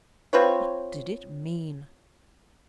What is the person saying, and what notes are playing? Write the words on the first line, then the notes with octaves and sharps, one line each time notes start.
What did it mean?
C4 F4 B4 C#5